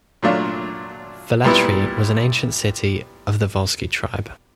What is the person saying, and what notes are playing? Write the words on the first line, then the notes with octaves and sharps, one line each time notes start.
Velletri was an ancient city of the Volsci tribe.
A#2 F#3 A3 D4 F4
A#2 G3 B3 E4